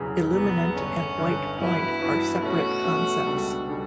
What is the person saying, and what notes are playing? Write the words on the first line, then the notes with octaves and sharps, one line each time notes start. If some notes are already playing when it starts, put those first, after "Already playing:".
Illuminant and white point are separate concepts.
Already playing: E1 E2 C#3 F#3
E1 E2 C#3 F#3 B3
G1 G2 D3 C#4
G1 G2 D3
G2 E3 B3 E4 F#4 B4
G2 E3 B3 F#4 B4
B2 A3 C#4 F#4
B2 A3 C#4
C#2 B2 G3 D4 A4
B2 G3 D4 A4